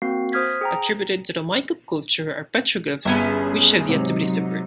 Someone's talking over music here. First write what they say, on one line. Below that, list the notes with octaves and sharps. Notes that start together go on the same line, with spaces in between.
Attributed to the Maykop culture are petroglyphs which have yet to be deciphered.
A#3 C4 F#4 C7
C5 D#6 F6 G#6 B6
G#4 G5 A#5
G1 B3 C#4 G#4 E5
G#2 C3 F#3 D#4